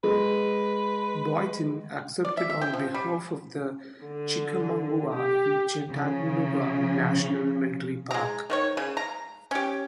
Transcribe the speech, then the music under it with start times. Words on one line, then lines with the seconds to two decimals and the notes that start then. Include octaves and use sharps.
Boynton accepted on behalf of the Chickamauga and Chattanooga National Military Park.
0.04 G#3 B4
2.25 D5
2.37 E5
2.50 E5
2.61 G5
2.73 F3
2.94 G3
4.04 D3
5.13 G4
5.90 C#3 F3
8.11 G#3 A#5
8.50 D#3 F#4 C#5
8.77 C#3
8.97 A#5
9.51 C#4 G4